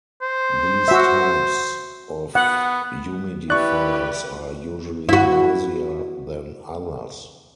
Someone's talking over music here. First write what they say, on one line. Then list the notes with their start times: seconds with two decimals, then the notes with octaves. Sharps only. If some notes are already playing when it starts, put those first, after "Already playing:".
These types of humidifiers are usually noisier than others.
0.22 C5
0.88 F#4 E5
2.35 B3 F#5
3.50 E4 G4 B4 D5 C#6 F#6
5.09 E4 F#4